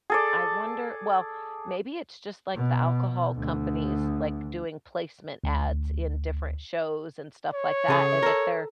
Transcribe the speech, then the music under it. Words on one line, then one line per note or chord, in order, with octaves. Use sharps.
I wonder well, maybe it's just like the alcohol companies, like, doing placement ads in different shows and stuff like that and if they're
G#4 A4 D5
B2
D2
D2
C#5
C#3 G#4 A4
A4 A#4